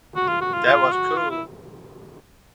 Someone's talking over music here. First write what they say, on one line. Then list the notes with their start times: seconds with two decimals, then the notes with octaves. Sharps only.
That was cool.
0.16 F#4
0.28 F4
0.41 F#4
0.53 F4
0.66 F4
0.92 F#4
1.17 F4
1.30 E4